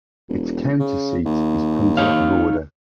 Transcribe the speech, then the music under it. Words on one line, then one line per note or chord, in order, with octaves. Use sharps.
Its county seat is Punta Gorda.
E1
C#3
D#2
D#4 C#5 F5